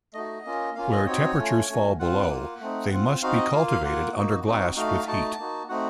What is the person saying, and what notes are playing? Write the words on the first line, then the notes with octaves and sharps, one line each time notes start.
Where temperatures fall below they must be cultivated under glass with heat.
A3 D#4 F#4 D#5
A#3 C#4 F4
A#3 C#4 F4 F5
D#5
C4 D#4 F#4 C#5
A3 C#4 F4
A3 C#4 F#4
C4 F4 F#5
A#3 F4
A3 C4 D#4
C4 F4
C4 D#4 F#4 F5
D#5
A#3 F4 F5
F5
A#3 F4 F#5
A#3 D#4 F#4
C4 D#4 F#4
A3 D#4 F#4 F5
A3 D#4 F#4 A5
A#3 D#4 F#4
A3 C4 D#4 F#4 F#5